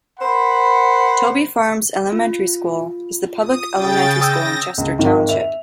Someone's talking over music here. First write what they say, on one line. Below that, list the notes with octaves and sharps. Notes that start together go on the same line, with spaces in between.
Toby Farms Elementary School is the public elementary school in Chester Township.
A#4 C5 F#5 B5
F4
D#6
C#3 G5 A6
D#6 E6 G6 A#6
C#2
G#1 D#3
E5 F7